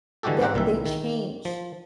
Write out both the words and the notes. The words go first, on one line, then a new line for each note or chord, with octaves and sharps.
that they change
D3 E3 G#3 F#4 G4 A4
G#2 C4 G4 F#5 A#5
C2 A#2 D#3 E3 E5
D#3
F3